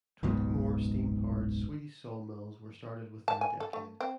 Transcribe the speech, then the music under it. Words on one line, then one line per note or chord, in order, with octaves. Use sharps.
Twenty more steam powered Swedish saw mills were started within a decade.
F#1 C#2 G#2 B2
A5
G#5
A4
A3
C4